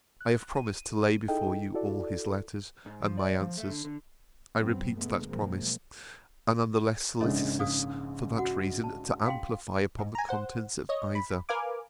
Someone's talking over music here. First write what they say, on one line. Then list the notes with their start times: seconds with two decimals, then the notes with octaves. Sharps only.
I have promised to lay before you all his letters, and my answers: I repeat that promise: and am the less solicitous, for that reason, to amplify upon the contents of either.
0.21 F#6
0.55 D#7
1.28 D#4 E4 G#4 A4 D#5 G5
1.74 E4 F#4 A4 D5
2.86 G#2
3.02 F3
3.18 D5
3.40 F3
3.57 A3
3.69 D3
3.85 D3
4.58 G2 F#3 B3 C4
4.96 B2 D3 G#3 A3 B3
5.30 B2 F3 F#3 G#3 A#3 C4
7.20 A#1 G#2 C#3 A4 C#5 D#5
7.59 D5 F5 D#6
8.38 F#4 F#5
8.84 A5
9.26 F5 G5 C6
9.99 G#2
10.15 G#5 A#5
10.29 C5 F#5
10.89 C#5 D#5
11.15 B5
11.49 A#4 B4 F5 G#5 D6